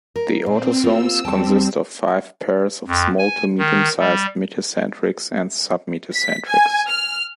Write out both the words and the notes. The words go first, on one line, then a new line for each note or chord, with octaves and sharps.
The autosomes consist of five pairs of small to medium-sized metacentrics and submetacentrics.
A#4
A#2 C4
A#3 F4 G4 E6
E2 G3 C4 G5 A5
F2
G#5
D#3
G3
B6
G#5
F6